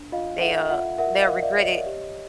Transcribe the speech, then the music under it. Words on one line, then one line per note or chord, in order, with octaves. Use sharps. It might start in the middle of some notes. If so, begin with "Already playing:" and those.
they'll they'll regret it
Already playing: D4
F4 D#5 F5
A4 E5 F#5
F4 E5 F#5
A#4 E5 F#5
D#5 F5
A#4
D5 E5
C#5
D#5
G4